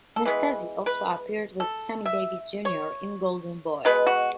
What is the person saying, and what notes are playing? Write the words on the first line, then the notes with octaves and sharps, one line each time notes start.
Nastasi also appeared with Sammy Davis Junior in "Golden Boy".
A4
E3 G#3 B3 B4
B4
A4
E5
C#5
B2 G#3 B3 B4
F#4